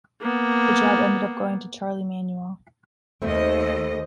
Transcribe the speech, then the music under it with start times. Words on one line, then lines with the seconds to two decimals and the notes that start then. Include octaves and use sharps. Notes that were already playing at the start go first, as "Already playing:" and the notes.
The job ended up going to Charlie Manuel.
0.22 A#3 B3
3.22 D#2 A3 C4 C5 D#5 E5 C6